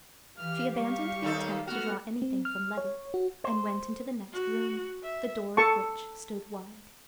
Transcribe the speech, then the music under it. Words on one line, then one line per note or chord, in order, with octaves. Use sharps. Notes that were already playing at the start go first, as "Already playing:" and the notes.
She abandoned the attempt to draw anything from Letty, and went into the next room, the door of which stood wide.
E3 G4 F5 F6
G3 C#6
D#2 D#4 A4
A3 B3 F#4 F#5 F6
C4
F6
C#5
F#4
C5
F#4
E5
A4 A5 C#6